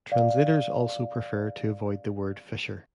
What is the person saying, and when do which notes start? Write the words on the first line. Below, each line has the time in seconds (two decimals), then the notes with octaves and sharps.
Translators also prefer to avoid the word fisher.
0.12 D5 F5